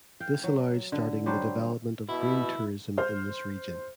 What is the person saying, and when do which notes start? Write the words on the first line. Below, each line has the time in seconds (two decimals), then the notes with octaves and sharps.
This allowed starting the development of green tourism in this region.
0.20 F5 G5
0.44 F#3
0.92 D3
1.26 F#3 G3 D4 C5
2.09 B2 E4
2.98 C5 F6 G6